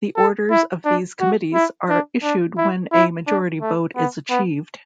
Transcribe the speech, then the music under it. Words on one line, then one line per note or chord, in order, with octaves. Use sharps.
The orders of these committees are issued when a majority vote is achieved.
A4
E4
D4
F#4
E4
D4
D4
E4
E4
D4
A3
B3
B3